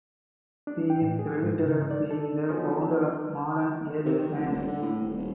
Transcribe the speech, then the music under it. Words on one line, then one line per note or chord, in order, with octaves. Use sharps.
She is credited as being the founder of modern aerial dance.
D4
G5
A2
G#4
G#2
C#3
D5
A4
F3 F#3 B3 C#4 C5
C3
D#3
F1
D#1
D3
A2
D#1
D#1